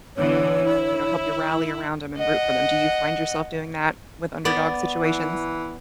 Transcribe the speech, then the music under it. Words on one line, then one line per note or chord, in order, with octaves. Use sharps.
you know, help you rally around 'em and root for them. Do you find yourself doing that with underdog situations?
D3 E3 B3 C#5
E4
D#5 F#5
B3 D5
E3